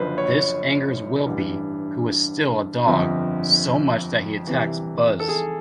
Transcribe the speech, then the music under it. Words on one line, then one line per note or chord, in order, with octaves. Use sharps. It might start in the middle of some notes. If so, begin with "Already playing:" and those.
This angers Wilby, who is still a dog, so much that he attacks Buzz.
Already playing: F#1 F#2 D3 F3 B4 C5
C#5
A1 G2 E3
G1 F2 D3 F3
C2 C3 E3
A4
G#4